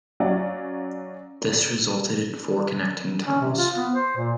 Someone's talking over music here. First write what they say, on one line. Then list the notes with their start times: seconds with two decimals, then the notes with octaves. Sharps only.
This resulted in four connecting tunnels.
0.20 F#3 C#4 D5 F5
3.25 C#4
3.40 C3
3.57 F4
3.76 B3
3.93 C5
4.17 A#2